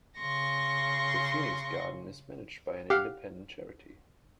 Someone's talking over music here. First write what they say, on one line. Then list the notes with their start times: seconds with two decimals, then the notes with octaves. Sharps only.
The Phoenix Garden is managed by an independent charity.
0.17 C#3 C6 C#6 A#6
2.90 G4 F5 F#5